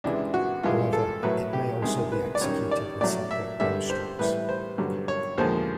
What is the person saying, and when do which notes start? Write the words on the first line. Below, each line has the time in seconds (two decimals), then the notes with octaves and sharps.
However, it may also be executed with separate bow strokes.
0.04 C#2 C3 E3 G#3 D4
0.34 F#4
0.63 G2 E3 G#3 F4
0.93 A4
1.23 A2 F#3 B4
1.53 G4
1.82 C2 C3 D#3 G#3 G#4
2.12 B4
2.35 D5
2.41 F#2 D#3 G3 C#5
2.71 D5
3.01 A2 F#3 D5
3.31 E5
3.60 G2 D3 G3 E5
3.90 C5
4.19 A2 E3 G3 B4
4.49 C5
4.78 G2 D3 F#3
5.08 C#5
5.38 D#2 D3 F3 G#3 C5